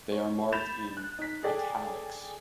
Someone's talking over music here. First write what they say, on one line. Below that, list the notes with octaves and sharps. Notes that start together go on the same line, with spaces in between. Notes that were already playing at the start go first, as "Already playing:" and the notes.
They are marked in "italics".
C#5
B5 G6 A6 E7 F7
F#6
D#4 B6
G#4 A4 D5 G5 G#5